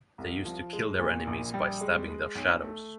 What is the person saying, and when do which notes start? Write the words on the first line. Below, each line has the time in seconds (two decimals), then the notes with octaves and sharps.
They used to kill their enemies by stabbing their shadows.
0.18 C2
0.45 F3
0.73 G#3
0.99 A#2
1.27 A#1
1.54 G3
1.81 G#3
2.08 G#3
2.35 B1
2.62 A3